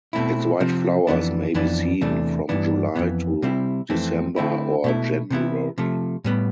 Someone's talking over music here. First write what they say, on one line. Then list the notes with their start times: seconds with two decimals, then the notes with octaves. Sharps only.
Its white flowers may be seen from July to December or January.
0.13 B2 A3 C4 E4
0.60 C3 F3 C4
1.07 F2 E3 B3 D4
1.54 F2 E3 B3 D4
2.01 E2 C3 E3 A3 D4
2.49 G2 E3 B3 D4
2.95 F2 E3 B3
3.42 C3 G3 C4 E4
3.90 F2 E3 A3 C4
4.36 D3 A3 C4 E4
4.84 B2 A3 E4
5.30 C3 E3 B3 E4
5.78 C3 F3 A3
6.24 A2 G3 B3